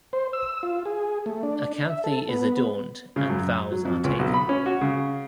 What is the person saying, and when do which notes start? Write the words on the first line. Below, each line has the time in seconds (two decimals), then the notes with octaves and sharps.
A kanthi is adorned and vows are taken.
0.13 C5
0.33 E6
0.63 F4
0.85 G#4
1.26 A3
1.43 D4
1.90 E5
2.04 A4
2.29 B3
3.16 C#3
3.30 F#2
3.71 F#3
3.85 F2
4.04 C#2
4.19 B1
4.34 B5
4.49 C#4
4.66 F#4
4.81 C#3